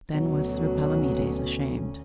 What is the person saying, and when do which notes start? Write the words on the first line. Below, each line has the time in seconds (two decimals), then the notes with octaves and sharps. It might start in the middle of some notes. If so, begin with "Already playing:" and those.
Then was Sir Palomides ashamed.
0.14 D2 B2 F#3 C#4